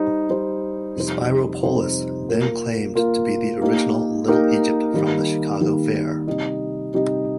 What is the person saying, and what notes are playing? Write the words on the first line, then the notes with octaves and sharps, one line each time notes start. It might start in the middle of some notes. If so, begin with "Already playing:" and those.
Spyropoulos then claimed to be the original Little Egypt from the Chicago Fair.
Already playing: G3 D#4 C5
G3 D#4 C5
F2 C3 G3 D#4 C5
F2 C3 G3 D#4 C5
A#3 F4 A#4
A#3 F4 A#4
A#3 D#4 G4 A#4
A#3 D#4 G4 A#4
D#3 G3 A#3 D#4
D#3 G3 A#3 D#4
C3 G3 D#4 G4 D#5
C3 G3 D#4 G4 D#5